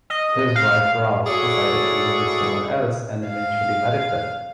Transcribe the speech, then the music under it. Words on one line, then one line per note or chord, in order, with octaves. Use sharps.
His wife Ros decided to live with someone else and eventually married them.
D#5
F5
E4 F#4 G#4 A4 C#5 D5
F5